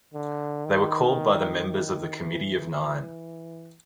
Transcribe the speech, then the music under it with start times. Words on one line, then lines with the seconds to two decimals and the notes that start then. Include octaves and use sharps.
They were called by the members of the committee of nine.
0.14 D3
0.66 D#3
1.68 D#3
2.20 E3
2.72 E3